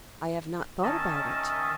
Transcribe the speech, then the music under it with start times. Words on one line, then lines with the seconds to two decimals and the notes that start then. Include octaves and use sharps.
"I have not thought about it."
0.83 D#3 C#4 D#5 E5 A5